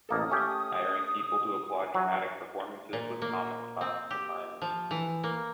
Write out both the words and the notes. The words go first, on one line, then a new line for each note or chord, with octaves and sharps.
Hiring people to applaud dramatic performances was common in classical times.
A1 A#3 A4 D#6
A3 C#4 G4
G#5
F#3 F#5 G#5
A#2
A#3
C4
G4
F3
E3
A#3